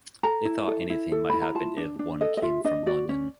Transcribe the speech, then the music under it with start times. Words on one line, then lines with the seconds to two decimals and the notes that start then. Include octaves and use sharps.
They thought anything might happen if one came from London.
0.23 A4 A#5
0.45 E4
0.68 A4
0.90 E4
1.12 A4
1.30 E4 B5
1.42 A#5
1.55 F4 A5
1.77 D4
1.99 D4
2.21 A4 D#5
2.37 D#5
2.42 F4 E5
2.64 D4 D#5
2.86 F#4 D5
3.09 C#4